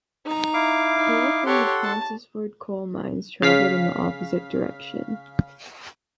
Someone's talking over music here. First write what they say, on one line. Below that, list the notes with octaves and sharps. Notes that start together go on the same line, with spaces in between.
Coal from the Pontesford coal mines travelled in the opposite direction.
D#4 A#5
E4 F5 D6
D#4
G4 A4 C#5 F#5 C6
A5
C#3 F5 B6